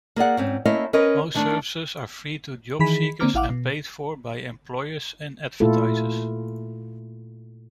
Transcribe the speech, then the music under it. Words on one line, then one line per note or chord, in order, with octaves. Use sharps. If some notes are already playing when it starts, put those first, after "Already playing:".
Most services are free to job seekers and paid for by employers and advertisers.
A#3 G#4 D5 F#5
G#2 C4 C#4
A3 A#3 C#4 E4 D#5 F5
C#4 A#4 B4 D#5
D#3 A3 D4
D#3 E3 G#4 B5 B6
D3 A#3 C4 A#5 D6 F6
A1 E4 F5 F#5 D6
B2
A#2 A3 E4 F4 A4